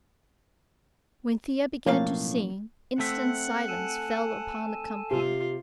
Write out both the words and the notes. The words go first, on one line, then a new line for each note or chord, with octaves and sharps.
When Thea began to sing, instant silence fell upon the company.
B1 A2 F3 A#3 C#4 F5
A3 C4 E5 F#5
A4 G#5 A5
C3 F4 C6